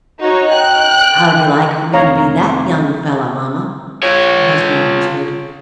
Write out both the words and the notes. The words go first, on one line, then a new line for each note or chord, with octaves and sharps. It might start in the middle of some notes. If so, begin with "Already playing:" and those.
"How'd you like for me to be THAT young fella, mamma?" the husband whispered.
D#4 F#4 C#5
G5 F#6
F1 C#5 F5 A#5
F4 C#5